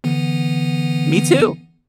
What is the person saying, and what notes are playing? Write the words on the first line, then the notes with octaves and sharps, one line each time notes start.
Me too.
D3 E3 B3